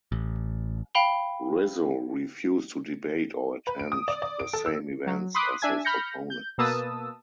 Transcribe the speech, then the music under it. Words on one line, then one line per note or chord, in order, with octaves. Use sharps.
Rizzo refused to debate or attend the same events as his opponents.
A1
F5 G5 B5 F7 G7
B4
D7
D#6
D5
D5
D7
A4
E6
F#3
B5 C6 D6 D#6 F#6 B6
D4 E5 G#5 G#6
B5 F6 G6 A#6 C#7
G6
B2 A#3 B4 A5 D#6 E6